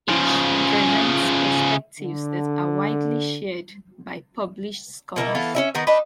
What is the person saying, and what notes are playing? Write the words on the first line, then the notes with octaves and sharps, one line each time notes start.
Each presents perspectives that are widely shared by published scholars.
C#3 F3
D3
B2 A#3 D#4 E4
E3 B3 A4 F5
C#4 E4 E5
D#3 B3 A#4
D4 D#4 B4